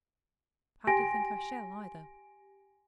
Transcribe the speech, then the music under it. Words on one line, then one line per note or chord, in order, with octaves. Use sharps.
Hardly think I shall, either.
G4 G5 G#5 C6 A#6 D7